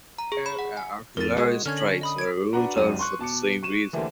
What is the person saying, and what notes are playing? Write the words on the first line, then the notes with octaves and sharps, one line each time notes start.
Air and artillery strikes were ruled out for the same reason.
A#5
G#4
B5
F#5
G#5
F2 A#4 A6
G#3 F#4 G#4
D3 C#4 F6 G#6
F#7
D#5 B5 D#6
G#6 D7
D4 F#4 B4 F#5 A#5
G#1 C#2 F#2 D#4 G4 D#7
C6 C#6 F#6
B2 A5 D6 C#7
C#6 D#7 E7
D3 E3 A3 A#3 G4 C5